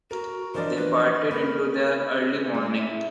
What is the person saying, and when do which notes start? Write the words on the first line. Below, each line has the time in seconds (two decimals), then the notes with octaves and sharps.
They partied into the early morning.
0.11 F#4 A#4
0.54 E3 F3 D4 A#4 C5 D5 D#5
0.77 B4
1.31 A#3 A#4 B4
2.35 B4
2.55 G#3
2.79 E4